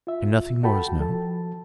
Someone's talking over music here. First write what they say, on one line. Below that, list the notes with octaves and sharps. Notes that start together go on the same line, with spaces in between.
"And nothing more is known?"
F4 E5
F#4 A4 G5 A5 B5
F3 A4 A5